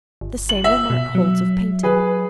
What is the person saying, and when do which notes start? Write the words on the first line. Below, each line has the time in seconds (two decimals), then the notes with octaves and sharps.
The same remark holds of painting.
0.21 G1
0.49 F#7
0.64 E5
0.90 B2
1.15 F#3
1.83 G#4 B4